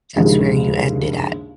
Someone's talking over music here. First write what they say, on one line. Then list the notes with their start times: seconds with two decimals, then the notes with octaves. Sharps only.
that's where you end it at.
0.16 A#1 D#2 C#3 G#3